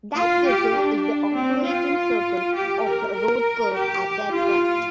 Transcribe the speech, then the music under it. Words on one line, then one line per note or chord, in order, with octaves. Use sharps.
That circle is the osculating circle of the road curve at that point.
F4
G4
D4
C4
F4
G4
A#4
A#4
G4
F4